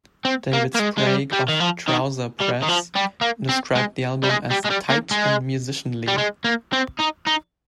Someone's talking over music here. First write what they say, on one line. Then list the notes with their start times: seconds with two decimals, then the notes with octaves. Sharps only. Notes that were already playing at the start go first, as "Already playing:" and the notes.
David Sprague of "Trouser Press" described the album as "tight and musicianly".
0.25 C4
0.53 A#3
0.74 A#3
0.79 G#3
0.98 G#3
1.07 G3
1.33 G3
1.48 D#3
1.60 F3
1.88 D#3
2.40 G3
2.62 D#3
2.68 F3
2.95 G3
3.21 A#3
3.49 C4
3.75 G#3
4.23 G3
4.29 G#3
4.50 G3
4.64 G#3
4.70 G3
4.90 A#3
5.11 G#3
6.08 G3
6.18 G#3
6.44 A#3
6.73 C4
6.99 D#4
7.26 D#4